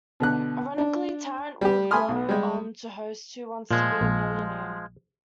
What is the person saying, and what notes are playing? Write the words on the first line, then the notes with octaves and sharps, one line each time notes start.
Ironically Tarrant would go on to host Who Wants To Be A Millionaire?
B2 D3 F#6
D4
G3 G4
A3 G#5 B5 C6 D#6 F6
B1
G3 G#3
A#2 F3 G#3
A#1